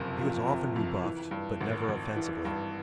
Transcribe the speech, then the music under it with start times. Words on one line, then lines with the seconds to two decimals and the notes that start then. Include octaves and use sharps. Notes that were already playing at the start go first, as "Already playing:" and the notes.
He was often rebuffed but never offensively.
Already playing: F#1 F2 C3
0.18 F3
0.47 C3
0.76 F2
1.04 E3
1.31 G2
1.61 G#1
1.88 G#1
2.16 E3
2.45 G2